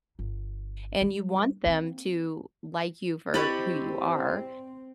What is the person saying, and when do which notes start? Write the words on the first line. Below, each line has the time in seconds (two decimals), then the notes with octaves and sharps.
And you want them to like you for who you are.
0.19 G1
1.02 G3
1.65 A#3 C4
3.34 C4 E4 G4 D5 D#5 B5 C#6